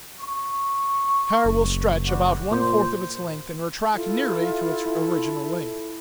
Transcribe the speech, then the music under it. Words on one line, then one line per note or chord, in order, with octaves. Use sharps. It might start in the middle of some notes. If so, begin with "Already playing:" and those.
Hair will stretch about one-fourth of its length and retract nearly to its original length.
C#6
F#1
G3 F#4 D5
A#2 C5
E4 F4 A4